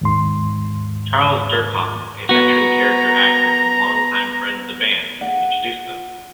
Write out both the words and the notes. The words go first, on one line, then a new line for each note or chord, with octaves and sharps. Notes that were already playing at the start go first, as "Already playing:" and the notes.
Charles Dierkop, a veteran character actor and longtime friend of the band, introduced them.
D#2 G#2 C6
B3 F#4 A#5
F#5